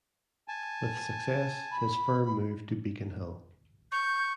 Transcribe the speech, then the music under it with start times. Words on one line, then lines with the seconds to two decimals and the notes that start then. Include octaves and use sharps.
With success, his firm moved to Beacon Hill.
0.48 G#5 A5
1.71 B5
3.92 C#6 G6